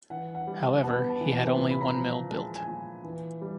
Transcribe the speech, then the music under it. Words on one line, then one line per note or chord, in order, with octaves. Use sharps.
However, he had only one mill built.
E3 F#5
F#5
G3
B3 A5
A5
E3
A5
A#2
B5
A#5
F3
G#3 A5
G#5
A#2
E3
G3